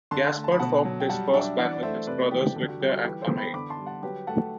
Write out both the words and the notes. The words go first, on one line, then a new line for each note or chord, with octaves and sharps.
Gaspard formed his first band with his brothers Victor and Amade.
D3 A5 C6
A3
A5
B5
B2 F#5 A5
F#3
G5
G3 F#5 A5
D4 E5 G5
E3 D5 F#5
D5
A3 C5 E5
C3 B4 D5
E3 G4
D3 G4
F#4
G3 G4
F#4 A4
E3 G4 B4
A4 C5
B3
G5 B5
D3 B5 D6
A5 C6
G3
F#5 A5
F#3 G4 B4
A3 F#5 A5